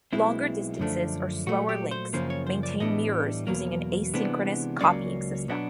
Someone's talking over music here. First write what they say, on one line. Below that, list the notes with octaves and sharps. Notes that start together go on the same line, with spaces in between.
Longer distances or slower links maintain mirrors using an asynchronous copying system.
B1 B2 G#3 C4 E4
F#2 D3 F3 A3 D4
A#2 F#3 A3 F#4
G4
C5
F#2 C#3 F3 A#3 C5
C#5
C5
D5
A2 E3 G3 B3 D4 D#5
E2 B2 F#3 A#3
C3 E3 G#3 B3 D4
C#2 C#3 F#3 A#3 C#4 D5
B2 F#3 B3 D4